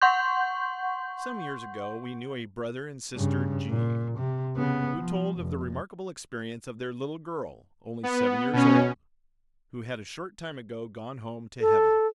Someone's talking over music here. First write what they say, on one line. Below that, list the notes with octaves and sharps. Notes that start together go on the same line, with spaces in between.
Some years ago we knew a Brother and Sister G----, who told of the remarkable experience of their little girl, only seven years old, who had a short time ago gone home to heaven.
F#5 C6 C#6 G6
G2 C#3
A#2
C3
C#3 B3
F3
F1
B3
B2 C#4
A4